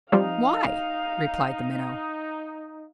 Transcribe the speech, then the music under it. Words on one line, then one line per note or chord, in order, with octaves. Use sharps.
"Why?" replied the Minnow.
F3 G3 C4 D#4 F5